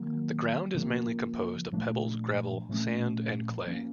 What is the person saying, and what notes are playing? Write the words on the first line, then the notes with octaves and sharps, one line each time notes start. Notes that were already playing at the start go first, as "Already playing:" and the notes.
The ground is mainly composed of pebbles, gravel, sand and clay.
Already playing: D#3 F#3 A#3
C#3 F3 A#3
A#2 F3 A3 D4
A#2 F3 A3 C#4
F3 A#3 C#4